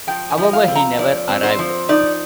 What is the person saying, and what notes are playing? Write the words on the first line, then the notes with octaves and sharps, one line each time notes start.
However, he never arrived.
F3 G5
G#5
F3
D#5
F5
C4
A#5
F3 D5
C4
C5
F3
D#4 D5